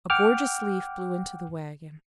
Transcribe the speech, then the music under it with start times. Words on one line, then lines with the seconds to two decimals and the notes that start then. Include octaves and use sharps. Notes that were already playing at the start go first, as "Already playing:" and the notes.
A gorgeous leaf blew into the wagon.
0.10 F#5 G5 D6 F6